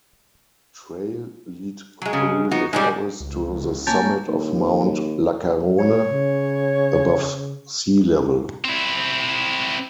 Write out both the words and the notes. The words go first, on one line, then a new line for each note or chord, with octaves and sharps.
Trail lead through the forest to the summit of Mount Lacerone, above sea level.
F#3 G#3
C#3
B3 D#4 F#4
G#2 G3 G#3 C#4 D4
C#2
A#3 C#4 C#5 A5 G6 A6
D#2
C#5
C#3
C4 E4